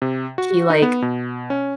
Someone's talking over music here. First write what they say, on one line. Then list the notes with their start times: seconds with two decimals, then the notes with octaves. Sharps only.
he, like,
0.02 C3
0.38 F#4
0.70 D#4
0.82 B3
1.02 B2
1.50 C#4